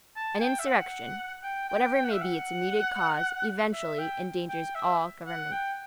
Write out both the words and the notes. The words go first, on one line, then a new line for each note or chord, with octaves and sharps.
An insurrection, whatever may be its immediate cause, eventually endangers all government.
A5
G5
E5
F#5
G5
G5
G5
F#5
E5
F#5
E5
G5
G5
E5
F#5
G5